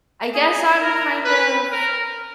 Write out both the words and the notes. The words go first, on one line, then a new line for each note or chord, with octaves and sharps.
I guess I'm kind of
G#4
A#4
B4
A#4